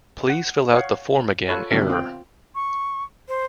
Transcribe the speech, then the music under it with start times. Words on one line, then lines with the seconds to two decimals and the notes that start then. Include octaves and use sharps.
Please fill out the form again error.
0.29 F#5
0.73 C#5 F5 F#5
1.48 F4 A4 C#5 B5 F#6
1.71 D2 G2 B2 E5
1.90 C4 F4 G5
2.55 C#6
3.28 C5